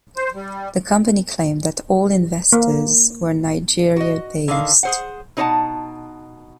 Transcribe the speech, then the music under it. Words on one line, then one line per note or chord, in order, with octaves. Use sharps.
The company claimed that all investors were Nigeria-based.
C5
G3
A#3
F#4 D#5
D3 D#3 F5
G#4 C5 F#5
B2 D#4 C5 C#5 F#5 A5